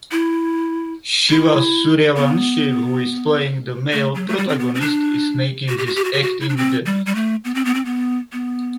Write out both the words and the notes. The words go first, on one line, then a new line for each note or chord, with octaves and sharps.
Shiva Suryavanshi who is playing the male protagonist is making his acting debut.
E4
E4
B3
A3
F#3
A3
G3
C4
B3
C4
D4
F#4
G4
F#4
G4
F#4
G4
F#4
E4
D4
C4
G3
G3
A3
B3
C4
B3
C4
B3
B3